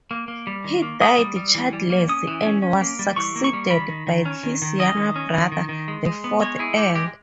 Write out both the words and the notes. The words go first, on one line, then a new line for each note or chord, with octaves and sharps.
He died childless and was succeeded by his younger brother, the fourth Earl.
A#3
A#3
G3
D#3
A#3
A#3 D#6
G3
G3
E3
G3
A#3
C#4 D#6
E3
C#4
C#4
A#3
G3
E3 C#6
A#3
C#6
G3
D#3 B5
D#3
D#3
C#4
D#3
D#3
C#4 D#5
D#3
C#4
D#3
D#3
D#3
G#3
G#3
B3
G#3 C#5
E4 G#4
G#3 G4
G#3 G4